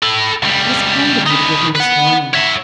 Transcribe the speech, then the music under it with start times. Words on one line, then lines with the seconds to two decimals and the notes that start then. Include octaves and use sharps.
It is kind of you to give me this warning.
0.03 A4 B5
0.43 C#2 G3
1.27 D#4 B4
1.76 B4 F#5
2.34 C#5 E5